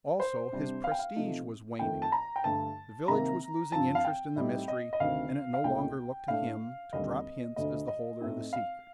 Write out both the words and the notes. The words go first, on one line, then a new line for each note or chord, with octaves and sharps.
Also, his prestige was waning. The village was losing interest in the mystery, and it no longer looked to him to drop hints as the holder of the secret.
C5
C3 G3 D4
F5
G5
F5
C3 F3 A3 D#4
F2 D#3 A3 G5
A5
A#5
G5
G2 D3 A3 A5
C3 D#3 A#3 A#5
G2 F3 C4 A5
F5
G5
A2 G3 C4 D#4
D#5
D#5
D2 C3 D#3 F5
F5
C2 A#2 A3 D#4 G5
A2 A3 D4 F5
D#2 D3 G3 C4 D#5
D2 D3 A3 D#5
D#5
A2 A3 C4 D#4
F5